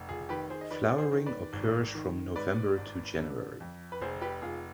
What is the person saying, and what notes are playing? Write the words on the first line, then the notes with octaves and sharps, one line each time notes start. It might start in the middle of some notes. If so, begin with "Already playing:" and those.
Flowering occurs from November to January.
Already playing: F1
F4 G#4
D#3 G4 B4
G#4 C5
D#5
D#3 B4 D5
D5
G#4 C5
D#3
B4 D5
G#1
D#3
G#2 B4 D5
G#1
D3
F2
B4
F1 G#4 C5
G4 B4
F1 F4 G#4